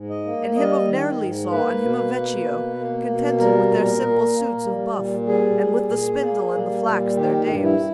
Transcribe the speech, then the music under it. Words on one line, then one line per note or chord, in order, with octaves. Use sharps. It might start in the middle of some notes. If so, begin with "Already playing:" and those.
And him of Nerli saw, and him of Vecchio, Contented with their simple suits of buff And with the spindle and the flax their dames.
Already playing: G#2
D#5
A#3
G3 D#5
D#3
G#2
A#3 B4
B2
A#3
B2
A#3
B2
G3 A#4
A#2
A#2
A#3
G3
A#2
G3 G#4
A#2
A#2
A#3
G3
A#2
D#3 G4
G2
E4